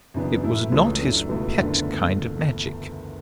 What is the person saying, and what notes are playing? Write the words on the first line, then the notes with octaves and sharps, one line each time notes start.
It was not his pet kind of magic.
F#2 C#3 E3 B3 D4
F#2 E3 A3 E4
C#2 C#3 E3 A3 C#4
F#2 E3 A3 D4
C#2 B2 A3 E4
F#1 E2 D3 A3 D4